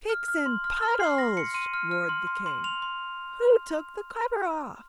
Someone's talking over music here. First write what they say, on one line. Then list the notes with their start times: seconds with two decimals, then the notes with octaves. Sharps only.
"Picks and puddles!" roared the King; "who took the cover off?"
0.09 F6
0.28 F6
0.46 C6
0.64 F6
0.83 F6
1.00 C6 C7
1.18 C6 A#6
1.37 C6 C#7
1.54 C6 D#7
1.74 F6
1.91 F6
2.09 C6
2.27 C6
2.46 C6
2.64 C6 F7
2.82 C6